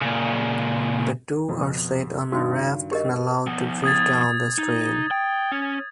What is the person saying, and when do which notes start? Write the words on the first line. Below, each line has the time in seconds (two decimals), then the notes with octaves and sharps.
The two are set on a raft and allowed to drift down the stream.
0.01 A#2 C#3
1.48 F2 B2
2.32 G2 D#3 F#4
2.92 G4 A#4 D#5
3.47 F3 B3
3.84 D#6 G#6 A6
4.58 D#4
5.11 G5
5.52 C#4